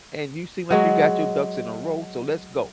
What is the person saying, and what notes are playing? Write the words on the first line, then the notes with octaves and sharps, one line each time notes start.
and you seem like you got your ducks in a row, so let's go.
F#3 G#3 F#4